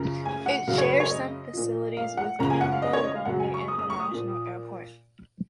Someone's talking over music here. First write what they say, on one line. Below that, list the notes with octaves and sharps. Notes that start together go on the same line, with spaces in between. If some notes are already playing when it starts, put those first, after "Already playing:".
It shares some facilities with Campo Grande International Airport.
Already playing: F#2 C#3 F3 A#5
G#5
F#5
F#2 C#3 F#3 F5
C#5
B4
C#5
D#5
A#2 F3
F5
F#5
F#2 C#3 F3 A#5
G#5
F#5
F5
D#5
C#5
D#5
F5
F#2 C#3 F#3 F#5
G#5
C#6
D#6
D#6
C#6
D#6
A#2 F3